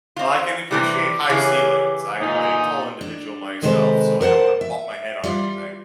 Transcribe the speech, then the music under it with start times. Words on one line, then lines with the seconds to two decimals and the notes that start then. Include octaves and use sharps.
Oh, I can appreciate high ceilings, I am a tall individual myself, so I don't wanna bump my head on anything.
0.16 C4 F4
0.71 C3 E3 G3 D6
1.30 C#3 E3 G4 G#4 C#5
2.20 D2 A#2 D#4 F4 G#5
3.01 D4
3.62 C3 D#3 G#3 A4 B4 C5
4.21 A#4 C5 F#5 A5
4.61 E5
5.24 G3 F4 D5